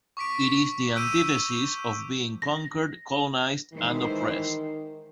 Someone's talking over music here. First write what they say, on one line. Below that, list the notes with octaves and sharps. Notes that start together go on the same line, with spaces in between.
It is the antithesis of being conquered, colonized, and oppressed.
C#6 D6 B6 D7
D6 E6 G6 D7 D#7
A#6
D#3 E3 G#3 C5